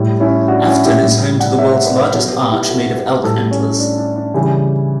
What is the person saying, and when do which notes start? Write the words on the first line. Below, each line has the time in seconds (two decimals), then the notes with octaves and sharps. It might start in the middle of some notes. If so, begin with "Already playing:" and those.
Afton is home to the world's largest arch made of elk antlers.
Already playing: A2 G3
0.20 C#4 E4
0.48 D4 F#4
0.66 C#4 E4
0.85 E4 G4
1.03 A2 G3
1.39 D5 F#5
1.58 C#5 E5
1.86 B4 D5
2.02 B4
2.13 B2 F#3 A4 C#5
2.32 G4 B4
2.51 E4 G4
2.68 F#4 A4
2.96 G4 B4
3.24 A2 G3 F#4 A4
3.51 C#4
3.79 D4
3.98 D4
4.16 D4
4.34 C#3 E3 G3